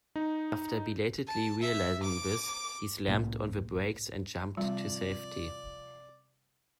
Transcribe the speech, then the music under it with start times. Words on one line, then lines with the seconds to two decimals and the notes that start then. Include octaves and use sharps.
After belatedly realising this, he slammed on the brakes and jumped to safety.
0.16 D#4
1.28 A5
1.61 E5
2.02 D6
3.08 C2 A2 A#3
4.57 C3 F3 G3 D5